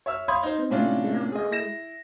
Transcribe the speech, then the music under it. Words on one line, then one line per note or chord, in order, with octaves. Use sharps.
so beat down where I was like,
C#5 E5 E6 F6
C#5 F5 B5 C6 D#6 G#6
D#4 C5
A2 C3 C#4 D4 F4
G#4 D#5
E4 A#6 E7